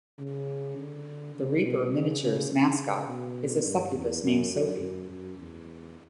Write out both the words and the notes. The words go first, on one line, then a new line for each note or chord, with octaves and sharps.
The Reaper Miniatures mascot is a succubus named Sophie.
C#3
D3
C#3
B2
C#3
C#3
C#3
B2
G2
E2
F#2
F#2
F#2
F#2
E2